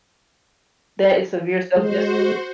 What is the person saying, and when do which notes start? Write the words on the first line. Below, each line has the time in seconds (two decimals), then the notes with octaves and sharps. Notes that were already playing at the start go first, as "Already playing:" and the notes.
That is severe self-discipline.
1.76 G#3 F#4 C5